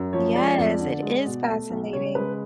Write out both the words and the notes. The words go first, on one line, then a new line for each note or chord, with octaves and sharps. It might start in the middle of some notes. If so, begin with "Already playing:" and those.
Yes, it is fascinating.
Already playing: F#2
F3 C#5
G#3 D5
F2
D3
G#3
B2
A3
B1
C#3 C#5
G#3 B4